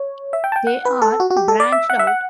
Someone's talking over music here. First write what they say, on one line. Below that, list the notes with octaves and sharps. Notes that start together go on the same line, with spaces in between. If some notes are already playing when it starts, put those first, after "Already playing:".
They are branched out.
Already playing: C#5
E5
G5
A5
G5
F#5
B4
A4
F#4
F#4
G4
A4
D5
E5
F#5
E5
F#5